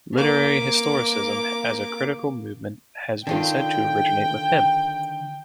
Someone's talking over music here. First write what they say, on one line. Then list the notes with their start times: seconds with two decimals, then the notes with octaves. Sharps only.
Literary historicism as a critical movement has been said to originate with him.
0.13 A#3 D6
3.27 D3 D#3 F4 G5